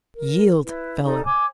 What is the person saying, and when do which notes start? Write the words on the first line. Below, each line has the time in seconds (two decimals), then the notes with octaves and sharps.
"Yield, fellow!"
0.15 A#4
0.65 E4 B4
1.04 D#4 A4 D5
1.25 C#5 G#5 D6 G#6